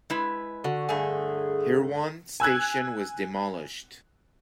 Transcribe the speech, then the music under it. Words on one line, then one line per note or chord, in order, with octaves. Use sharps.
Hirwaun station was demolished.
G#3 E4 B4
D3 F#4
G2 A3 G#4 G#5
G#5 E6 F#6 G#6